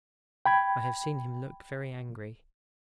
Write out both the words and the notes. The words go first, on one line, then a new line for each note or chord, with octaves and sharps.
I have seen him look very angry.
G5 B5 G#6